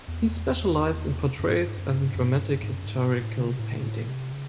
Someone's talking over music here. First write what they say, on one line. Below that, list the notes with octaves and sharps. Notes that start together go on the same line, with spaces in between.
He specialized in portraits and dramatic historical paintings.
E2
F#2
G#2
F#2
G#2
F#2
G#2
F#2
G#2
F#2
G#2
F#2
G#2
F#2
G#2
F#2
G#2
A2
C#3
C3
A2
A2
C3
C#3